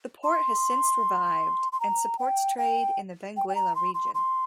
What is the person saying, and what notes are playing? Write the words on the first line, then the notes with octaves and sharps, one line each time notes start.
The port has since revived and supports trade in the Benguela region.
C6
C6
A#5
G5
G5
G5
G5
A#5
C6
C6
C6